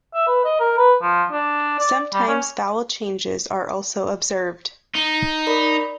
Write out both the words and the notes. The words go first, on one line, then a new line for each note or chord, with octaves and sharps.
Sometimes vowel changes are also observed.
E5
B4
D#5
A#4
B4
F3
D4
D5
G3
C#4
D#4
A#4 D5 B5